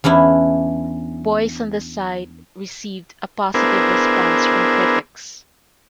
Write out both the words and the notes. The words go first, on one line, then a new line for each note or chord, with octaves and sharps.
"Boys on the Side" received a positive response from critics.
E2 C#4 D4 E4
B3 D4 E4 G#4 A#4 C5